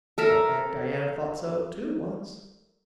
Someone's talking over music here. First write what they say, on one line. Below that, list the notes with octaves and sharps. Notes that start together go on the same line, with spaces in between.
But then Diana thought so too, once.
A4 A#4 E5